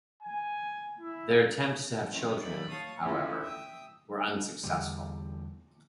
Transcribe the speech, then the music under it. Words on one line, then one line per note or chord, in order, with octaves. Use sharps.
Their attempts to have children, however, were unsuccessful.
G#5
E4
D#3 E3 F#3 C4 C#4
F#3 D5 B5
C#5 F5 A5 C#6 D#6
A2 E3 C#4 E4 F4
E5 G5 D#6
E2 D3 G3